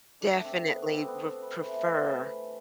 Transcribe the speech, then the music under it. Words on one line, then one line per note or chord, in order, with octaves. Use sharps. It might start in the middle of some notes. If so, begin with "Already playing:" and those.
Definitely re prefer
D3 A3 D4
C4
B3
C4
B3
C4
B4
A2 E3 A3 C5
B4
C5
B4